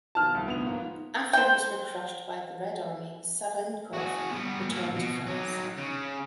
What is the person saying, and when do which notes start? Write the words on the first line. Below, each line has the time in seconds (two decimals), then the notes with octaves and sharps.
After these were crushed by the Red Army, Savinkov returned to France.
0.15 B2 D#3 F3 A5 F6
0.35 C2
0.48 D2 B3 F7
0.65 G#2 F3 A#3
1.33 C5 G5
3.93 F#4 G#4
4.31 G3 B3
4.68 A#2 E4
4.95 B2
5.26 F#3 D#4
5.77 C#3